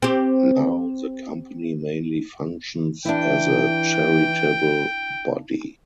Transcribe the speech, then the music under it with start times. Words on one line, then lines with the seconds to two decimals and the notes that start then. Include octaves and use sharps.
Now, the Company mainly functions as a charitable body.
0.02 C4 G4
3.05 E3 D4 E4 G5